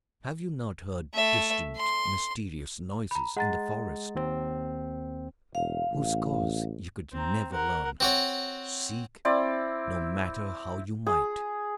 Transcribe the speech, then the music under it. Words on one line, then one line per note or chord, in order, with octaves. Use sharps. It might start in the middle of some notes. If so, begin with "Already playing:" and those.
Have you not heard distant, mysterious noises in the forest, whose cause you could never learn, seek no matter how you might?
A3 E5
C6
A#5 B5
G#3 F#5 A#5 A6
D#2 C4
E1 F5
A1
C4 A#5
A#4 F#5
C4 F#4 C#5
C4 E4 D5
G#4